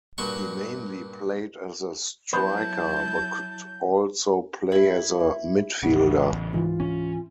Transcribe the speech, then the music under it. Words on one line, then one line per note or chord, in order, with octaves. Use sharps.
He mainly played as a striker, but could also play as a midfielder.
G2 A#2 F#4 C6 C#6
F#3 B3 E4 C5 A5 G6
E4
A1 C#3 F#5
C#2 G#2 E3 F4
C#4